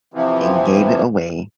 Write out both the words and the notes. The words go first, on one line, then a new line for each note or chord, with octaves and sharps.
and gave it away
C3 E3 F3